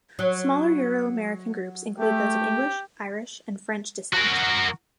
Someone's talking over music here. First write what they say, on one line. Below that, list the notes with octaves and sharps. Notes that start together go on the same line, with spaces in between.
Smaller Euro-American groups include those of English, Irish, and French descent.
F#3
A3 G4
F#4 A#4